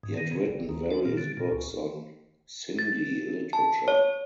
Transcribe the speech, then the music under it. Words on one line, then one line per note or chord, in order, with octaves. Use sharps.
He had written various books on Sindhi literature.
G#2
D#3
C#3
G1
D#2
D4
A#2
D3
A#2
C#2
A6
A5
C#5